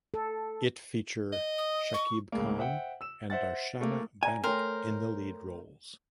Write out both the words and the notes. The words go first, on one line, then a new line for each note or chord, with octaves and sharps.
It feature Shakib Khan and Darshana Banik in the lead roles.
A4
D#5
D#6
C#6
C#2 A2 G#3 A#3
C5 E5 F#5 G5
E6 E7
C5 E5 F#5 A6
A3 A#3
D5 G#5 A#5
A3 A#4 C5 C#5 G5